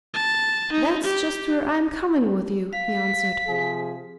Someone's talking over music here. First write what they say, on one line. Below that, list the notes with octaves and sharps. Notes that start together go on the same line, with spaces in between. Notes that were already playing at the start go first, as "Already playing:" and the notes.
"That's just where I'm coming with you," he answered.
A5
D#4
G4
F5 B6
C3 F3 G#4